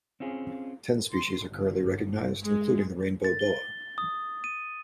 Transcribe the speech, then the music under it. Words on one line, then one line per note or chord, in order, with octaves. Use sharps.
Ten species are currently recognized, including the rainbow boa.
C4 C#4 F4 G#4
C6
G1
G#3
A6
G7
D#6
D#7